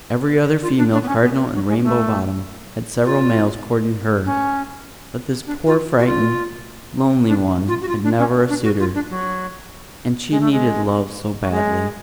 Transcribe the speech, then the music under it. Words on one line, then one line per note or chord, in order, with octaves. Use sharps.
Every other female cardinal in Rainbow Bottom had several males courting her, but this poor, frightened, lonely one had never a suitor; and she needed love so badly!
F4
D4
D4
B3
C#4
B3
F#3
G#3
A3
F4
C#4
D4
F4
F#4
F4
D4
F4
F#4
F4
D4
C#4
D4
F#4
F4
D4
F#3
G#3
A3
G#3
F#3
G#3